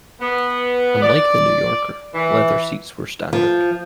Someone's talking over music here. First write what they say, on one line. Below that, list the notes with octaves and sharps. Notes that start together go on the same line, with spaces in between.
Unlike the New Yorker, leather seats were standard.
B3
D5
E3
F3